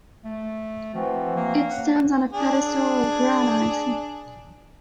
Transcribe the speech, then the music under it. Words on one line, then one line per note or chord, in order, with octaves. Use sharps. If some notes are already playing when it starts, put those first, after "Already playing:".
It stands on a pedestal of granite.
A3
E3 F3 C4 F#4
A#3
C#4 F#5
D4 G#4